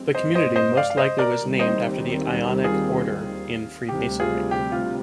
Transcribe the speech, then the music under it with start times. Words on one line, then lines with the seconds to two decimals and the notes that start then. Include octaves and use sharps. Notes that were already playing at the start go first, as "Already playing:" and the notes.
The community most likely was named after the Ionic order in Freemasonry.
Already playing: G2 F3 G#3 C4
0.15 C5 D#5
0.35 C5 D#5
0.56 C5 D#5
0.77 D5 F5
0.90 F5
0.97 C5 D#5
1.18 A#4 D5
1.39 D#2 D#3 G3 C4
1.59 C5 D#5
2.64 F4 G#4
3.89 D2 C3 G3 G4
4.20 F4 G#4
4.51 G4
4.72 F4